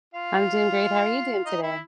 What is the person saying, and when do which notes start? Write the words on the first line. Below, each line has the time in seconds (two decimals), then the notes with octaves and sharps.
I'm doing great. How are you doing today?
0.14 F4 F5
1.46 D#4 D#5
1.63 E4 E5